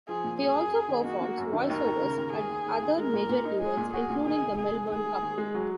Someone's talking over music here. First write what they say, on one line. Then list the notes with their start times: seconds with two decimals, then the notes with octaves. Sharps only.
He also performs voiceovers at other major events, including the Melbourne Cup.
0.09 F3 G#4
0.24 A#2
0.41 F#2 G#4
0.56 F#2
0.73 F#2
0.88 D#3
1.04 A#3 F#4
1.21 A#3
1.38 F#2
1.53 D#3
1.70 D#2 A#4
1.86 D#2
2.02 C#3
2.17 D#2
2.33 D#2 G#4
2.49 D#2
2.66 D#2
2.82 D#2
2.98 G#3 A#4
3.13 A#2
3.29 A#2
3.45 D#4
3.61 G#3 G#4
3.77 A#2
3.93 F#4 G#4
4.10 A#2
4.26 D#3 G#4
4.43 F1
4.58 F1 G#4
4.74 G#3
4.90 D#2 G#4
5.06 G#3
5.22 D#2
5.38 G#3
5.55 F#3